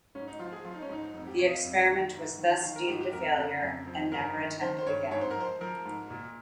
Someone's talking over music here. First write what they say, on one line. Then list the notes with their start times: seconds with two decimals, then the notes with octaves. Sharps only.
The experiment was thus deemed a failure and never attempted again.
0.15 G#2 C#4
0.28 D#4
0.39 F3 F4
0.52 G#4
0.65 F3 F4
0.74 D#4
0.82 C#4
0.89 G#2 D#4
1.14 F2 D#4
1.27 G4
1.39 C3 C#5
1.47 D#5
1.51 F5
1.64 F2
1.89 D#3
2.13 G#2
2.39 D#3
2.63 D#3 F5
2.76 A#4
2.87 G#2 G4
3.01 G4
3.13 F2 A#4
3.37 C#3
3.62 F2
3.87 F3
4.11 G2 A#4
4.37 D#3
4.61 D#3 C5
4.79 C5
4.86 G2 C#5
5.11 G#2 C#5
5.21 C5
5.31 A#4
5.36 F3 C5
5.61 F3 A#4
5.85 G#2
6.10 A#2